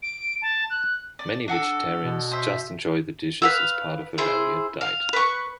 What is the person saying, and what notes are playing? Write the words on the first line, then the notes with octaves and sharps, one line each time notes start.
Many vegetarians just enjoy these dishes as part of a varied diet.
D7
A5
F#6
D5
D4 F#4 A4
B2
C5 E5
B4 F5 E6
E4 G#4 C5
F5
B4 C#6